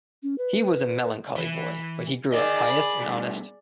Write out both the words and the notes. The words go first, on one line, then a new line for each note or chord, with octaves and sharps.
He was a melancholy boy, but he grew up pious and honest.
C#4
B4
E3
G#4 A#4 D5 D#5
B5
G2 B2